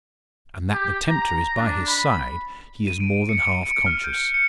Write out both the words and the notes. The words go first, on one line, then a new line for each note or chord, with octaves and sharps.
And that the tempter is by his side he is more than half conscious.
G4
A#5
D4
B5
D#7
D7
C#7
D7
F6
G6
C#7